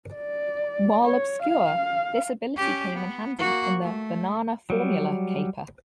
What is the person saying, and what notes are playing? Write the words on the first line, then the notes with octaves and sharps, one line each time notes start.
While obscure, this ability came in handy in the "Banana Formula" caper.
D5
C#5
F5
C#4 G4
B3
A#3 F#4
A3
F#3 G3